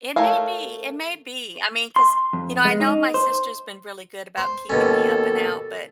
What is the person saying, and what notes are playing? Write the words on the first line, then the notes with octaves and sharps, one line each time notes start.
It may be, it may be, I mean, 'cause you know, I know my sister's been really good about keeping me up and out, but,
A3 A#4 C#5 F5
C6
F2
G#3
D#4
C5
C5
D#2 B2 C#4 A4